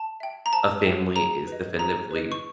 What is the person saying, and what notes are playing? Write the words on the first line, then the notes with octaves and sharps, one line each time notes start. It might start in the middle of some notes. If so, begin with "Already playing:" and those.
a family is definitively
Already playing: A5
E5 G5
A#5
C5 A5
E5 G5
G#4 A#5
B4 D#5
G#4 A#5
B4 D#5
C#6